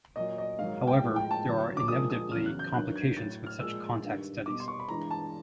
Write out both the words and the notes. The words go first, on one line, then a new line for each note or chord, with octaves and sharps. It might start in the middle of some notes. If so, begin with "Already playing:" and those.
However, there are inevitably complications with such contact studies.
A#2 F#3 D#5
D#5
G#2 D#3 F#3 F5
G5
A2 F3 G#3
G5
A5
G2 D3 F#3
D6
A#2 F3 G#3 D#6
D#6
E2 C#3 F#3 F6
F#6
G6
G2 D#3 F#3 F#6
G#6
A2 F#3 A6
F6
A#2 F3 G#3 E6
G2 D#3 G3
B2 G3 D6
C6
C#6
B5
G2 E3 G#3 A#5
A5